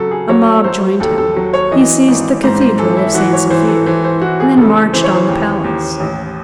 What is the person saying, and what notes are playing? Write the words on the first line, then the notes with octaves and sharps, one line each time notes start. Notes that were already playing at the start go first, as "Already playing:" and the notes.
A mob joined him, he seized the Cathedral of St. Sophia, and then marched on the palace.
Already playing: C#3 F#3 A4
G#4
F#3 C#5
F#3 C5
D#2 A4
A4
F#3
C#5
E3 D#5
G#1
G#2 C5
C5
E3 A4
E4
E3 F#4
C#5
E3 C5
A4
E3 C5
C5
E3 F#4
G#4
C#3 A4
E3 C5
C#5
C5
D#2
D#2
A1